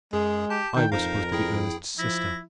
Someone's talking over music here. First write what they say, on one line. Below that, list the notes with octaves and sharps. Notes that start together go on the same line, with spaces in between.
I was supposed to be Ernest's sister.
F#2 G#3 G#4
G4 A5
D#3 G5
F2 D#4 A#4 C5 F5
E4 G#4 G5
F3 E4 A#6